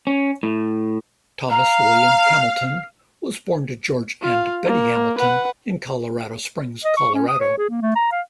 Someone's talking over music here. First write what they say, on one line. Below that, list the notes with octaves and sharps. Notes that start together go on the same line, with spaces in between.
Thomas William Hamilton was born to George and Betty Hamilton in Colorado Springs, Colorado.
C#4
A2
F5 A#5
F4 F5
A#3
B4 F#5
D#5
C#6
C#4
D#6
C#5
G#4
A#3
A3
A#5
F5